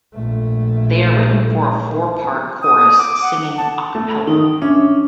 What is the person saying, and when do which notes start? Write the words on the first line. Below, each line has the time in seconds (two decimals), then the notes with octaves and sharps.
They are written for a four-part chorus singing "a cappella".
0.14 A#1 A3
2.62 D#6
2.98 D6
3.22 F#5
3.57 A5
3.95 A3
4.27 D#3 D#4
4.62 C#4 D4 E5